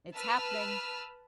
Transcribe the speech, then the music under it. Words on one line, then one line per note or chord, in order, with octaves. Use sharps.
It's happening.
B4 A5 B5 E6 F6